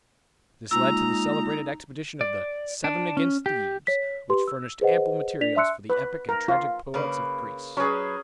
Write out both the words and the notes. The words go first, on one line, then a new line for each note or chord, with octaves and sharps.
This led to the celebrated expedition of the "Seven against Thebes," which furnished ample materials for the epic and tragic poets of Greece.
G#3 A#3 D#4 F4 A#5 E6
D5
D4
C#4
G4
C#5 B6
G4 B4 C6
E6
G#4 B4 C5 D#5 F#5
D4 D5 B6 F7
E5 A5 C6 E6 F#6 C#7
B4
A#4
F4
C#3 A#3 B4
F#3 C#4 G#4 B4